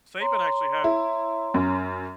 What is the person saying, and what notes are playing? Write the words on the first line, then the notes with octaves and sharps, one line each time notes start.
Saban actually had
C#5 A#5 C6
E4
F#2